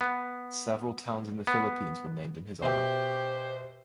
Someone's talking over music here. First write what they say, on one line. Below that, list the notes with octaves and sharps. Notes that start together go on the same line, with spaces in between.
Several towns in the Philippines were named in his honor.
B3
B3
B2 G4 C5 E5